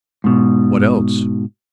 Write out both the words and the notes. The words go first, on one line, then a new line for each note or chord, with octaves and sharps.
"What else?"
G#2 B2